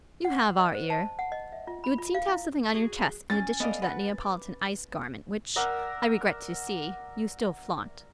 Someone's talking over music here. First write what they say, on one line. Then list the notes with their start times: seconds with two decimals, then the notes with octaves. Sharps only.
'You have our ear. You would seem to have something on your chest in addition to that Neapolitan ice garment which, I regret to see, you still flaunt.
0.25 F#5
0.59 D#5
0.74 C5
0.90 A5
1.19 F#5
1.32 D#5
1.53 E5
1.67 F4
1.84 B5
1.98 F4
2.15 F5
2.28 E4
2.74 F#4 G#4
3.30 C#4 G#5 A6
3.60 B3 A4 D5 D#5 F5 D#6
3.82 B4 F#5
4.21 D6
5.56 A#4 D5 E5 F#5